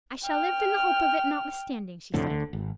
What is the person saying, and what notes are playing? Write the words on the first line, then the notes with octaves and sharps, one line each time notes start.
"I shall live in the hope of it, notwithstanding," she said.
G5 F6
F1 F2 A2 D3
D2 D3
G#1